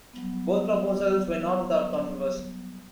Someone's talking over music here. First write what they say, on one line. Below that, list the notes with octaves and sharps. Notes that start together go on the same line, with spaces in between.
Both proposals were not without controversy.
F#3 G3 B3